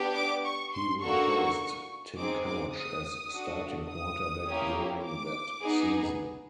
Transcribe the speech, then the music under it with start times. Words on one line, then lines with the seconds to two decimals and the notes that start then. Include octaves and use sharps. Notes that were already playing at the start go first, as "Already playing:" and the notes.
He replaced Tim Couch as starting quarterback during that season.
Already playing: B3 D4 G4
0.15 D6
0.45 C#6
0.74 C6
1.02 A#3 D4 F#4 A4 C#6
2.17 C4 D#4 G#4 D6
2.46 D6
2.74 D#6
3.32 D4 F#4 A4
3.90 D#6
4.47 A#3 C#4 E4 G4
5.05 D6
5.62 B3 D#4 G#4